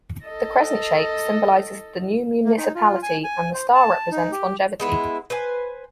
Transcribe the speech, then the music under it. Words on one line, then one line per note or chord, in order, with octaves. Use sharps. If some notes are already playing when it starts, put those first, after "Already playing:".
The crescent shape symbolizes the new municipality, and the star represents longevity.
A4 D#5
A#3
D#4
F4
G#5
G#5
C5
A5
D#4
G4
G#3 B3 E4
B4 C5 G#5